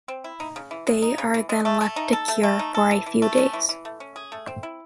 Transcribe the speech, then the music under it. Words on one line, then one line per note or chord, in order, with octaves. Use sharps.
They are then left to cure for a few days.
C4
E4
D#4
C#3
E3
G#3
D#4
C#3
E3
G#3
A3
A3
D#4
A4
A3
A3
D#4
A4
E3
E3
A3
C#4
E3
E3
A3
C#4
G#4
A3
C4
E4